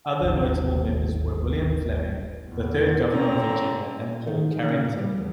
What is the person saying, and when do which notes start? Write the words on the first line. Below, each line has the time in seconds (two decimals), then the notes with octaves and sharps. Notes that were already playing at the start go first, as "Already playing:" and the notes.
Other notable members were William Fleming, the third governor of Virginia and Paul Carrington.
0.21 D1 G#1 D#2 F#3
2.48 E2
3.12 D3 C4 C#4 A#5
4.27 D#3
4.53 D#3
4.68 C#3
4.84 A2
4.98 G3
5.18 E2